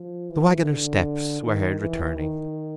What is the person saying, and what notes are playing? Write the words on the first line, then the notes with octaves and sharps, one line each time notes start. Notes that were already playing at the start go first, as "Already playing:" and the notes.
The waggoner's steps were heard returning.
Already playing: F3
E3
D3
D#3
E3
D#3